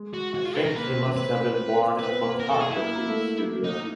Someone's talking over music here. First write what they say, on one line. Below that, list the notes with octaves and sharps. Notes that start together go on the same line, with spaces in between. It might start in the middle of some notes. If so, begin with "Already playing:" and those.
I think you must have been born in a photography studio.
Already playing: G#3
F#4
F#4
F4
B4
A#4
A#3 B4
C4
C4
C#4
C4 B4
C4 B4
B3
A#3
B3
A#4
A4
G#4
E4
A#3
A#3
A3
D#4